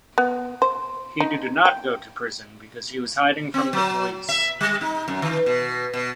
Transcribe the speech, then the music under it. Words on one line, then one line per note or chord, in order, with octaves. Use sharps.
He did not go to prison because he was hiding from the police.
B3
C5
D#4
G5
C4
F#3
E5
G3
D#4
F#2
D#3
B2
B2